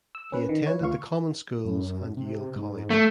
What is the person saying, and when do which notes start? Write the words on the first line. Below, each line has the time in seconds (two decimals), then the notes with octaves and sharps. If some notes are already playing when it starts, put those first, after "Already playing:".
He attended the common schools and Yale College.
0.15 E6
0.32 C#4 B4
0.49 D#3
0.67 E4 B4 C#5
0.81 D2 F4 F5 C#6
1.65 F#2
2.17 C3
2.56 G#2
2.90 A3